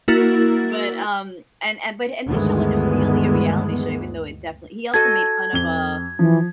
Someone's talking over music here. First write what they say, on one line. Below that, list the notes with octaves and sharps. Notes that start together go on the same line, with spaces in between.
But, um, and and, but, and his show wasn't really a reality show, even though it definitely he also made fun of, uh,
A#3 E4 F#4 A#4 E6 A6
D2 G2 D#3 E3 G#3 B3
F#4 A4 D#5 A5 G#6
F2 G7
E3 F3